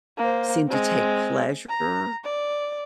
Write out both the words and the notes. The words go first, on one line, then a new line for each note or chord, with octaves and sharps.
seem to take pleasure
A#3 C5
G#3 C4
A#5
D5